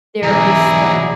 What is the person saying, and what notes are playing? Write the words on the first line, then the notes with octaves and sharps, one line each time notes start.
there is, like,
B1 E3 E4 G#4 D5 A#5